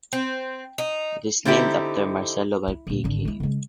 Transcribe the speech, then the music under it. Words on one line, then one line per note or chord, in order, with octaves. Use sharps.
It is named after Marcello Malpighi.
C4
D#4
D3 C4 D#4 E4 G4
E4
D2 A#2
G#1 D3
G#3 E4
C#3 G#3